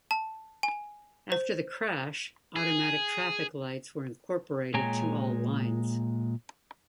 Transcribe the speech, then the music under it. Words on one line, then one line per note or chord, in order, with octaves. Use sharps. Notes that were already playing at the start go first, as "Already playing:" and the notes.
After the crash, automatic traffic lights were incorporated to all lines.
A5
G#5
C5
G#4
A#2 G#3 C#5 G5 G#5 A#5